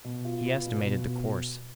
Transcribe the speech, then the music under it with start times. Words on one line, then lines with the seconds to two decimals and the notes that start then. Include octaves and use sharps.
He estimated the course.
0.04 B2
0.25 F4
0.45 B3
0.66 B2
0.86 B2